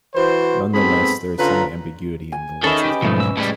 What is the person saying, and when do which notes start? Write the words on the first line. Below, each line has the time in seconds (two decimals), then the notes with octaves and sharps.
Nonetheless, there is some ambiguity in the licence conditions.
0.15 E3 F#4 B4 C5
0.74 G#2 B3 C4 G#4 A4 B5
1.38 D3 C#4 F4 B4 A#5
2.32 G#5
2.64 D#3 C#4 A4 B4 D#5 E5
2.84 G4
3.02 B1 G#2 F3 A3 D#4
3.20 E6
3.37 A2 G3 G#3